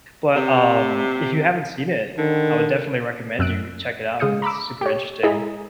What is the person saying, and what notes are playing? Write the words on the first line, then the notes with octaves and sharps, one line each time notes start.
but, um, if you haven't seen it, I would definitely recommend you check it out 'cause it's super interesting.
C3
D3 D#3
F#2 E6 F#6 D7
C#3 G#3 F5 D#6 G6 C#7
A#5 B5 D6 E6
G4 C#5
G#3 E4 G#4 A#5 B6